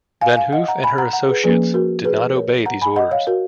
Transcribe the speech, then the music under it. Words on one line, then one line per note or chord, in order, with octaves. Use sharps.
Van Hoof and her associates did not obey these orders.
F5 G#5
F5 G#5
D#5 F#5
F#5 A#5
G#5 B5
F#5 A#5
F#5 A#5
G#4 B4
F3 A#3 C#4 G#4 B4
F#4 A#4
G#4 B4
A#4 C#5
F#5 A#5
G#5 B5
D#5 F#5
C#5 F5
F#4 A#4